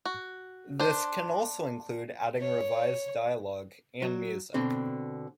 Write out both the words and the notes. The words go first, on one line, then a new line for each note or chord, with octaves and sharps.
This can also include adding revised dialog and music.
F#4
D4 C5
C#5
F#3
B2 D3 C4